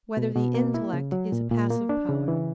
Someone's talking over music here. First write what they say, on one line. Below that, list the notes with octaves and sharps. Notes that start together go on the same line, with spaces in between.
Whether the Intellect Is a Passive Power?
B2
B2
A#3
E4
C#3
F#3
A#2
A#2
A#3
D4
C#3
E3